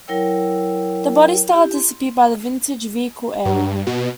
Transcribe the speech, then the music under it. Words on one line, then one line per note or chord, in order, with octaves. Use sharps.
The body style disappeared by the vintage vehicle era.
F#3 E4 A#4 C#5 G5 E6
E4 G4
C6
G2
B2